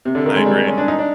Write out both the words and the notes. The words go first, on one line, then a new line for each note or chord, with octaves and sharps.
I agree.
C3
D3
D#3
G#3
G3
G3
C#4
D4
D#4
D4